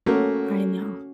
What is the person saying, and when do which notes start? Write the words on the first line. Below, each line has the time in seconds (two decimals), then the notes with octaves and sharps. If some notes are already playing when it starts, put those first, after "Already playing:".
I know.
0.06 A3 A#3 C#4 F#4